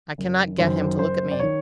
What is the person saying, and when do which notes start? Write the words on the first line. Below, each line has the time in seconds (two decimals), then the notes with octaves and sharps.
"I cannot get him to look at me."
0.18 F#1
0.58 F#2 D#3 C5
0.99 F#1 C5
1.31 D5
1.39 D#3 C#5